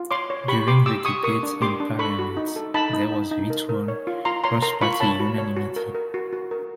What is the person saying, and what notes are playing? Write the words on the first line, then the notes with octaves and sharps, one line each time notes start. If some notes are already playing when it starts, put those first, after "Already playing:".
During the debates in Parliament, there was virtual cross party unanimity.
Already playing: F4
C#5 C6 D6
C#5
G4 B5 C#6
G4 C6 D6
G4 D6 E6
G4 C#6 D#6
A#4 C#6 D#6
D4
G4 C6 D6
D4
A4 B5 C#6
F#4
D#4
A4
D#4 A5 B5
D#4
D#4
D#4
A#4
A#4
C#5
F4
F4 A#5 C6
C#5 A#5 C6
A#4 A#5 C6
F4 B5 C#6
C#5 A5 B5
F#4
C#5
F#4
A#4
A#4
F#4
F#4
A#4